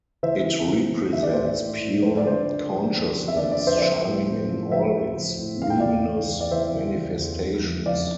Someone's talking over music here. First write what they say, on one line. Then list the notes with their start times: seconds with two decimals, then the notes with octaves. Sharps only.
It represents pure consciousness shining in all its luminous manifestations.
0.23 E3 C5 E5
0.45 E3
0.68 E3
0.91 E3
1.13 E3 E5
1.23 D5
1.34 A2 C5
1.45 D5
1.57 A2
1.80 A2
2.02 F2 C5
2.17 D5
2.25 D3 C5
2.32 D5
2.47 F3
2.69 F3
2.92 F2
3.15 F3
3.28 E5
3.37 D3 D5
3.52 D5
3.60 F2
3.67 C5 E5
3.78 D5
3.81 F3 C5 E5
4.05 A2
4.27 A2
4.49 F3
4.71 F3 C5 E5
4.94 F3
5.17 F3
5.39 A2
5.61 E3 F5
5.70 G5
5.80 E2 D5 F5
6.06 E2
6.29 E2
6.41 D5
6.51 E3 C5 E5
6.73 E3
6.96 E2
7.19 E2
7.41 F2
7.63 F2
7.86 F2 D5 F5